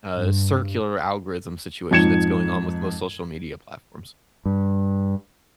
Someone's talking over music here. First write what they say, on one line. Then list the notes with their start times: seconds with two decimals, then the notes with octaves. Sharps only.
uh, circular algorithm situation that's going on with most social media platforms.
0.15 G2
1.91 F2 G#2 G#6 C#7 E7
4.45 G2